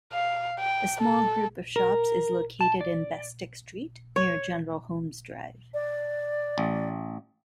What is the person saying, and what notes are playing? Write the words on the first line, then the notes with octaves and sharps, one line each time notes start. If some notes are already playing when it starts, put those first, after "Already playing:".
A small group of shops is located in Bestic Street near General Holmes Drive.
F5
G5
A4
A#4
A5
D5
C#5
D5
A1